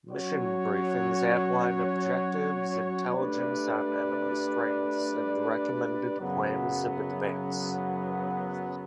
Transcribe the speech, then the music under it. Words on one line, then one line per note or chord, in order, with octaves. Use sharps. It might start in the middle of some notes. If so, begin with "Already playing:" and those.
Mission briefings outline objectives, intelligence on enemy strengths and recommended plans of advance.
F#3 C#4 F#4 C#5
A3 D4 G4 B4 D5
F#2 C#3 F#3 B3